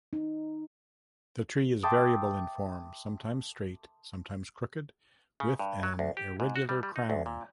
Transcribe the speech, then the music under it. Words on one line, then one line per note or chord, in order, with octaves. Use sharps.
The tree is variable in form, sometimes straight, sometimes crooked, with an irregular crown.
D#4
E5 G5 A5 C6 D6 D#6
C#3
G2
F#3
D2
G4
G#2
F#4
G3
G3
D#4
D2
A#2